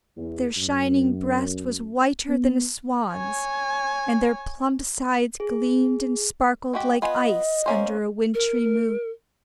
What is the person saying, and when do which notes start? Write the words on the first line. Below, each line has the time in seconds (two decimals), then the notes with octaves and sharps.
Their shining breast was whiter than a swan's, and their plump sides gleamed and sparkled like ice under a wintry moon.
0.17 E2
0.57 F#2
2.29 B3
3.12 C#5 G#5
5.40 G#4
6.73 G#3 F#4 G4
7.02 B3 F4 D#5 G#5
7.66 A#3 C#4 C5
8.34 A#4